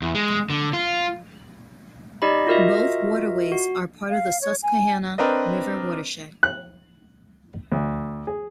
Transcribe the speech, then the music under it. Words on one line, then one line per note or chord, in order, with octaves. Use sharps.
Both waterways are part of the Susquehanna River watershed.
E2
G#3
D3
F4
D#4 G4 D5 D#5 B5
F4 F#4 A#4 D#5 E5
F#4
F5
C#5
G#5
C4 D4 A#4 B4 D#5
F#6
D2
G#4